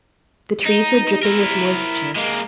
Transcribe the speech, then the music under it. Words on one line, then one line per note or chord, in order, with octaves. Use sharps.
The trees were dripping with moisture.
D#4
E4 A#4
G#3 A#3